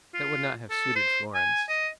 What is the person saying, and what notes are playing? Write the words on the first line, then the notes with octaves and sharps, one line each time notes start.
That would not have suited Florence.
F4
A4
C5
G#5
D#5